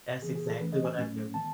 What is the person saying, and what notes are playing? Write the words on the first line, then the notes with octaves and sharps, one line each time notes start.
That's exactly what I do.
C#3 E3 B3 G#4
G#4
A4
E3 A3 C#4 B4
D#5
G#5
A2 F#3 A3 C#4
D#3 G#3 B3 A5